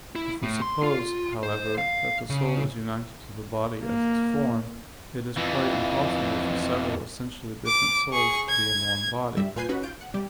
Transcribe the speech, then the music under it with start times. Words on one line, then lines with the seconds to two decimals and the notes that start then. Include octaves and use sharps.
If we suppose, however, that the soul is united to the body as its form, it is quite impossible for several essentially different souls to be in one body.
0.15 E4
0.43 A2
0.62 C6
0.83 F4
1.43 C5
1.78 F5
2.30 C#3
3.84 A#3
5.37 F2 E3
7.66 D6
8.13 G#4 C#6
8.49 G#6
9.37 G2 G3 E5
9.56 A#2 F4 B4 G#5 G6 C7
9.69 C#4 D#4 F#4 B4
9.83 F4 G6 D7
10.01 F#5
10.14 C3 G3 G4